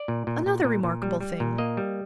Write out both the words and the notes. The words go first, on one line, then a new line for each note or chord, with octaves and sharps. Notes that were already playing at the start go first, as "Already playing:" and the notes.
Another remarkable thing.
Already playing: D5
A#2
A#2
A#2
A#2
A#2
G3
G3
A#2
A#3 D#5
G3